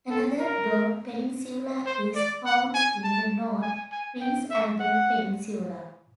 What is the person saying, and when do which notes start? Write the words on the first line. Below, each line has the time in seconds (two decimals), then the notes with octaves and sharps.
Another, broad peninsula is found in the north, Prince Albert Peninsula.
0.10 A4
0.39 A#4
1.86 C5
2.15 D5
2.45 F#5
2.74 G#5
3.04 A5
3.62 G#5
3.92 G#5
4.21 G5
4.50 E5
4.80 F#5